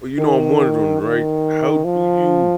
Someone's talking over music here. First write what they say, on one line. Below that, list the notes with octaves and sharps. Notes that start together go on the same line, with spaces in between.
Well, you know, I'm wondering, right? How do you
D#3
D#3
F3